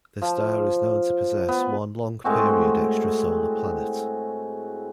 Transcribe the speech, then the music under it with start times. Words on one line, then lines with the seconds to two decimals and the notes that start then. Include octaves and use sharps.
The star is known to possess one long-period extrasolar planet.
0.22 F3
1.49 B3
2.24 A2 G#3 C4 F#4